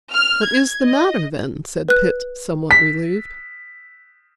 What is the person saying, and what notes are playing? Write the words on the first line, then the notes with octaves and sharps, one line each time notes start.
"What is the matter, then?" said Pitt, somewhat relieved.
F6
G#6
D#5
B4 F#6
B6